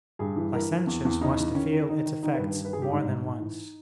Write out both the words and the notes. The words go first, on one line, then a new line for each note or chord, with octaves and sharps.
Licentius was to feel its effects more than once.
G2 G#4
E3
E3 A#4
E3
E2
E2
C#3 D#4
E3
D#3 C#4
D#3
D#3 D#4
D#3
D#3 D#4
B4
G2
B4
D#3
B4
G2 G#4
G4
G#2 D#4
G#2
G#2
E3